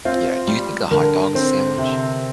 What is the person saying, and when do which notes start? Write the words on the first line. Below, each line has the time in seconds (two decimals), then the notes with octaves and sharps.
Yeah, do you think a hot dog is a sandwich?
0.05 C4 F4
0.47 G3
0.91 D3 A#4
1.35 C4
1.78 C3